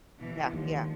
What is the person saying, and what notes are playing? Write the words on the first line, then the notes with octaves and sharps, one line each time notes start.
Yeah, yeah.
D#2 B2 E3
D#2 D3 F3 G#3